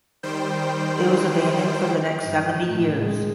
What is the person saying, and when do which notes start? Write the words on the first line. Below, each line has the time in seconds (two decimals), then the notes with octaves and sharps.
It was abandoned for the next seventy years.
0.23 D#3 G3 C5 G5
2.22 G2
2.65 A2
3.02 G#3